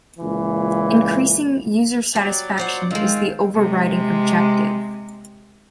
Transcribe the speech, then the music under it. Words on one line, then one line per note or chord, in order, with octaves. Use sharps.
Increasing user satisfaction is the overriding objective.
C#2 A#2 E3
F#3 G3 D5
F4 C5 F#5
D#3 G#3 C4 F4
C3 G#3